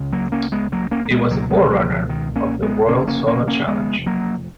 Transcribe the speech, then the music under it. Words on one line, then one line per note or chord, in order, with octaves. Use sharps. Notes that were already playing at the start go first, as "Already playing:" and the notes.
It was the forerunner of the "World Solar Challenge".
Already playing: C#2 C#3
F#3 A#3
A#3 C#4
G#3 B3
F#3 A#3
A#3 C#4
A#3
G#3 B3
C#2 B2 F#3 A#3
G#3 B3
B3
F#3 A#3
D#3
F3
D#3
A#3 C#4
G#3 B3
F1 F2 C#3 A#3 C#4
A#3 C#4
A#3 C#4
A#3 C#4
G#3 B3
F#3 A#3